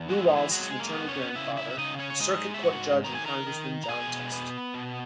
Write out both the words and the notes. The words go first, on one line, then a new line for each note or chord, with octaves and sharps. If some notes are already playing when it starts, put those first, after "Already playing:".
Lew Wallace's maternal grandfather was circuit court judge and Congressman John Test.
Already playing: E2
G#3 F#4
E4
D#4
E3 E4
F#3 G#3 F#4
G#4
A#3 A#4
B3
C#4 C#5
C#3 E4 E5
E4 E5
E5
C#3 D#4 D#5
C#4 C#5
C#5
G#3 D#4 D#5
E5
G#2 F#4 F#5
D#3 A#5
G#5
A#4 A#5
D#3
A#5
B2 G#4 G#5
B3
B2